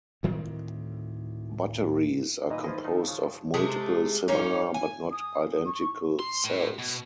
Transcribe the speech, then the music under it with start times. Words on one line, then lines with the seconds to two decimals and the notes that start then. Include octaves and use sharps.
Batteries are composed of multiple similar, but not identical, cells.
0.23 D2 A2 D#3 C4
2.50 A#2 D#3 B4 D#5
2.64 F3 E4 C5 D#5
2.84 F3 A3 D#4 F4
3.08 C#3
3.54 C3 G#3 A3
4.28 A#3 C#4 D#4
4.74 G#5
5.11 D#6
5.66 C#6
6.19 C6
6.44 A2
6.79 B2